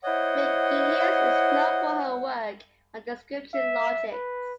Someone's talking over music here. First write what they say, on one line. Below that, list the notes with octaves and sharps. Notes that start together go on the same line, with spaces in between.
McGuinness is known for her work on description logics.
E4 C5 C#5 D#5 F#5
E5
B4